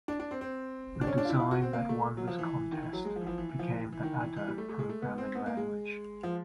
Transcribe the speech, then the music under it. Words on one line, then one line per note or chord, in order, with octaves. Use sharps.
The design that won this contest became the Ada programming language.
D4
D4
C4
C4
D4
C#4
D4
F4
E4
F4
F#4
C4
A#3
A3
F#3
F3
E3
D#3
E3
F#3
G#3
F3
E3
F3
E3
E3
F3
E3
E3
D#3
E3
E3
G3
A3
A3
G#3
A3
B3
C4
B3
A#3
G#3
F3